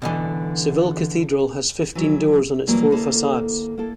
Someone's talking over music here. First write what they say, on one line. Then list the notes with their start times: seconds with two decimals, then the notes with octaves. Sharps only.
Seville Cathedral has fifteen doors on its four facades.
0.02 B2 D3 E3
1.95 E3 F#3
2.67 B2 E3 F#3 G3 A#3
2.91 D2 A#3 E4 A4
3.78 A#3 E4 A4